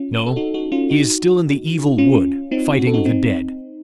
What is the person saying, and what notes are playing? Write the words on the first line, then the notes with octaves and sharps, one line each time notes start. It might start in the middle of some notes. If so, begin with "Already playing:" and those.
"No; he is still in the Evil Wood, fighting the dead."
Already playing: C#4 F4
A4
D#4 F#4
D#4 F#4
C#4 F4
D#4 F#4
C#4 F4
C4 D#4
F#4
A4
D#4 F#4
C4 D#4